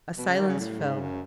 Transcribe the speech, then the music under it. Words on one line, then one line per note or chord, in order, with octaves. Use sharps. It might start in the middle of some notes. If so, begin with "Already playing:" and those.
A silence fell.
B2
C#3
D#3
C#3
A2
G#2
F#2